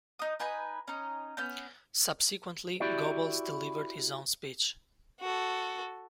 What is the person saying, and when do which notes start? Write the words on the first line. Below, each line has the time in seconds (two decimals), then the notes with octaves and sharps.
Subsequently, Goebbels delivered his own speech.
0.19 D#4 D#6
0.39 D#4 B4 G#5 D#6
0.87 C#4 D#4
1.37 B3 C#4 G6
2.80 E4 F#4 G4 D5
5.21 F#4 A4